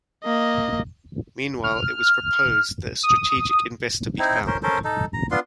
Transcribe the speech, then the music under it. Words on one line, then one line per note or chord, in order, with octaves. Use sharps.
Meanwhile, it was proposed that a strategic investor be found.
A#3 D#5
F6
D#6
C4 D#4 E4
C#4 A#4 C5
C#4 A4 A#4 C5
D#4 A4
A#5
B3 D4 F4 C6